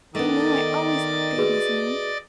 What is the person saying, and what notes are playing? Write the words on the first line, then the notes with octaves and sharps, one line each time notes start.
You know I always loved babies, Anne.
D#3 A3 B3 D5 D#5 A6
F#4 G#4 B4